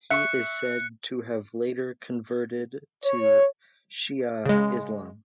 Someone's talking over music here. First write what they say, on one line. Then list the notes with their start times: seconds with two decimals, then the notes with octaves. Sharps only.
He is said to have later converted to Shia Islam.
0.10 E5 C#6 F#6 C#7
3.04 C#5
4.46 C#3 G#3